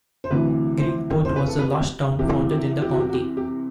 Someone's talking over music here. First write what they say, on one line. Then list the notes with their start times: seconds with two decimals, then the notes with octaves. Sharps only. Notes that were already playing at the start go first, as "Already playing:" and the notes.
Greenport was the last town founded in the county.
0.24 C5
0.31 D2 C3 E3 B4
0.78 C5
1.25 C5
1.36 B4
1.48 A4
1.59 B4
1.72 G4
2.19 C2 C3 E3 G4
2.51 G4
2.82 G4
2.91 F#4
3.00 G4
3.10 F#4
3.13 G4
3.37 G4